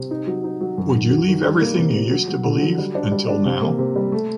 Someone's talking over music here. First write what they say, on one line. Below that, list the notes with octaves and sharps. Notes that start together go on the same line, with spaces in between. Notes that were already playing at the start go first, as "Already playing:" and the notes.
Would you leave everything you used to believe until now?
Already playing: C3
D#4
F#3
D#4
F#3
F#2
D#3
F#3
D#3
G3
A#3
C3
C3
F#3
F#3
D3
F#3
G3
D4
G3
D4
C3
A#3
C3
G3
A3